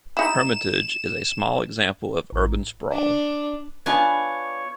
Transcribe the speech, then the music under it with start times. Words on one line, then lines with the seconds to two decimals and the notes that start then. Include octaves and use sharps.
Hermitage is a small example of urban sprawl.
0.17 D#4 E4 E7
2.32 A1
2.92 D4
3.86 B3 D4 F4 C#5 G#5 A5